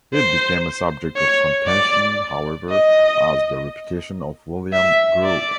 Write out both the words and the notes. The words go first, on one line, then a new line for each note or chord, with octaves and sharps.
It became a subject of contention however as the reputation of William grew.
C5
C#5
D5
D#5
E5
D5